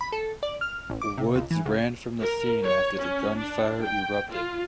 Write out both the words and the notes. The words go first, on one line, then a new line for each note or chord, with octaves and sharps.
Woods ran from the scene after the gunfire erupted.
B5
A4
D5
F6
A1
D6
C3
C#2
E3
C#2
A#4
C#5
C#4
D4
G5
F4